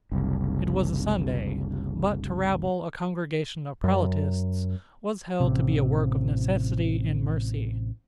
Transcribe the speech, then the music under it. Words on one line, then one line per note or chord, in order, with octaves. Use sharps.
It was a Sunday; but to rabble a congregation of prelatists was held to be a work of necessity and mercy.
F#1 C2
F#2
A1 C3